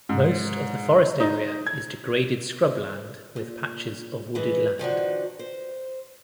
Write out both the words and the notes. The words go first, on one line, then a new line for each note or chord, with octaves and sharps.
Most of the forest area is degraded scrub land with patches of wooded land.
G#2
D#4
G#6
A#2
E3 G#3
D#3 F3 D4 F#4
C5